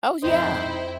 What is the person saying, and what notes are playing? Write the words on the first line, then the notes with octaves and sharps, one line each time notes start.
Oh yeah.
F2 D#4 E4 C5 G5